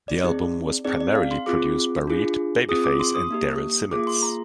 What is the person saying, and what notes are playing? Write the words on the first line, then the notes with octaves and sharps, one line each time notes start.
The album was primarily produced by Reid, Babyface, and Daryl Simmons.
D5
C4 D#4 G#4
C4 D#4 G#4 D5
D5
F5
C6
C4 F4 G#4 D6
D4 F4 G#4
C4 F4 G#4 D#6
D6
C6
D#6
A#3 D#4 G4
A#3 F4 G#4 D6
C6
A#5